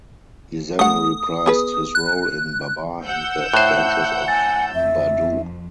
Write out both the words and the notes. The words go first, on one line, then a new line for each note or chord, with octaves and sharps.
He then reprised his role in "Babar and the Adventures of Badou".
A3 F#5 D#6
B3 G#4 B4
F#6
F#5 E6 G6
A2 C5 E5 F#6
G#5 A6
F2 E5